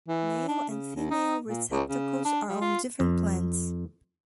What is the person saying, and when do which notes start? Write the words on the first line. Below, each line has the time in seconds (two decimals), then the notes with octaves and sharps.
Male and female receptacles are on different plants.
0.09 E3
0.48 D4
0.69 C#3
0.95 D#2
1.11 D#4
1.48 A#2
1.71 C#2
1.89 C#3
2.25 D4
2.49 G3
2.61 F4
3.00 F2